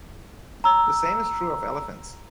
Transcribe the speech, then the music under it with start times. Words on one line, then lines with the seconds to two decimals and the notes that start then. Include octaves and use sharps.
The same is true of elephants.
0.64 A#5 E6